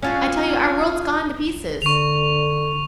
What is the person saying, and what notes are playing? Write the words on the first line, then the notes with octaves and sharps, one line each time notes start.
I tell you--our world's gone to pieces.
C#4 D4 F4 F#4 G#4 F5 G#5
D3 C#6 F7